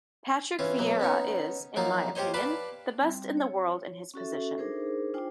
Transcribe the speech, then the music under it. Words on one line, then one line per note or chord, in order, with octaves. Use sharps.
Patrick Vieira is, in my opinion, the best in the world in his position.
E3 C#4 F4
B2 F#3 A#3
B3 C#4 D#4 C#5
F3 F#3 A#3 D#4 F4
F4 G4 C5 C#5 D#5
B4 D5 F5 A5 B5
G3 C4
C#5
C#4 F#4 A4 E5
D4 D#4 G#4 A#4 C5
D4 F4 C5 G5 G#5